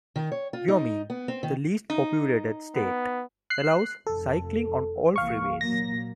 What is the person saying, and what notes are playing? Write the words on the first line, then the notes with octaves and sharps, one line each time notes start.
Wyoming, the least populated state, allows cycling on all freeways.
D#3
C#5
F4
D#4
B3
C4
D#3
D#4
B3
F#6 C7
F1 F2 A4
C2 E3 A#3 F5 C#6
A#2 F#3 A#3 A#6